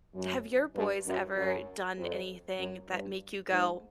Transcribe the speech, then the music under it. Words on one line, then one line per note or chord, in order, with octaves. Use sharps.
have your boys ever done anything that make you go,
F#2
G2
F#2
F#2
F2
F#2
G2
G#2